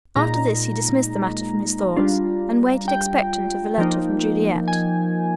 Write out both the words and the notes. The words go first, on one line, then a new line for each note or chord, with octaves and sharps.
After this he dismissed the matter from his thoughts and waited expectant of a letter from Juliet.
A#2 G#3 D#4 A#5
G3 D4 F4
G5
F3 A#3 D#4
G#5